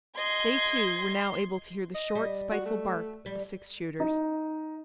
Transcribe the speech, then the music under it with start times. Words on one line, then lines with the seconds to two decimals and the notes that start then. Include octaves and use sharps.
They, too, were now able to hear the short, spiteful bark of the six-shooters.
0.18 D#5 C6 G#6
1.95 D#5
2.15 G3
2.52 F#4
2.66 A3
3.26 G3
4.00 D#4